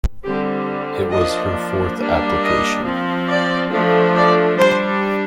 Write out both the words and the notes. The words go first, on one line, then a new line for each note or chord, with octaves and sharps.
It was her fourth application.
D3 G3 C4 G4
F3 A#3 D4 D#5
G3 A#3 D4
D#5
F3 C4
D5
F3 A3 D4
D5
G3 D4 C5